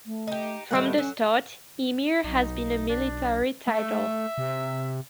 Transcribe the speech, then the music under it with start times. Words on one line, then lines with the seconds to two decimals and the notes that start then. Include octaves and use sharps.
From the start, Emir has been a military title.
0.06 A3
0.27 D#4 G4
0.71 A2 D#3 G3 F#5
0.98 F#3 C#4
2.24 B1 D#4
2.89 D4
3.67 A3 E5
4.38 C3